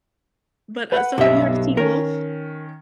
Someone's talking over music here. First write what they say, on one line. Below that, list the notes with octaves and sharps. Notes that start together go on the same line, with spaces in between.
But, uh, so have you heard of Teen Wolf?
B4 F#5
B1 G2 E5
D#3 C#4 A#4